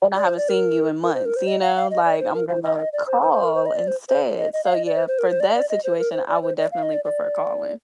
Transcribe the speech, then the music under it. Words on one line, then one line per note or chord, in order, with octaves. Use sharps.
when I haven't seen you in months, you know, like, I'm gonna call instead, so, yeah, for that situation I would definitely prefer calling
D5
C5
D5
A#4
A#4
C5
A#4
C5
D#5
F5
F5
D#5
D5
C5
A#4
C5
D#5
D#5
D5
C5
C5
C5
A#4
C5
D#5
D5
C5
C5
D#5
D#5
F5
D#5
D5
C5
C5
A#4
C5
D5
D5
D#5
C5
A#4
C5
D5
C5
D5
F5
D#5
D5
D5